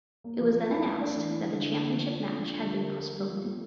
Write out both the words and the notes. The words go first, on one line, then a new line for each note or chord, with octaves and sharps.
It was then announced that the championship match had been postponed.
A#3
F3
F3
E4
A3
D4
E3
E3
D3
D3
A#3
F3
D4
D4
F3
D3
G4
A#4
A#4
G3
F3
A3